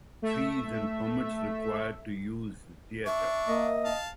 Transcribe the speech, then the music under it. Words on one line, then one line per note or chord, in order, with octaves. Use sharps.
Fees and permits required to use the theater.
A3 E5
D4 E5 C#6
A#3 D#5
F5 A5